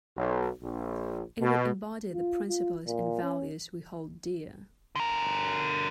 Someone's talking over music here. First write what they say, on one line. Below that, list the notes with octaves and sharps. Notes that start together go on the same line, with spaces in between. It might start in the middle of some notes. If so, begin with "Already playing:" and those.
It would embody the principles and values we hold dear.
B1
A#1
B2
F4
F4
A#2
C#4
D3 A#4